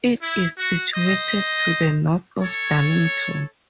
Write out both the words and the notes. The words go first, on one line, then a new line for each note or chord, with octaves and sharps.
It is situated to the north of Darlington.
E4
F#4
C5 D#5
A4 C#5